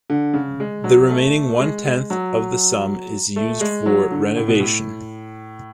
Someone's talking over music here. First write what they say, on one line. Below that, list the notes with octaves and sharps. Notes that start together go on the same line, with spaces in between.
The remaining one-tenth of the sum is used for renovation.
D3
C#3
G#3
F#3
A3
G#3
G#3
F#3
A3
G#3
F#3
D3
A2
B2
A2